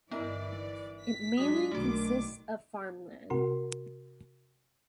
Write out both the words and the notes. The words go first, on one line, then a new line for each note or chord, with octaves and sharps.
It mainly consists of farmland.
G1 E3 B3 D#4 E4 A#4 D5 D#5
B6
F#3 G#3 D4 D#6
B1 D#3 A3 F#4 D6
C3 F#4 A#4 C6